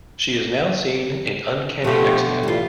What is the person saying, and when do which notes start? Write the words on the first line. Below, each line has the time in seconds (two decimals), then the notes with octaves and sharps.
She is now seen in Uncanny X-Men.
1.84 B2 D3 F3 A3 G4
2.43 A2 E3 G3 E4 F4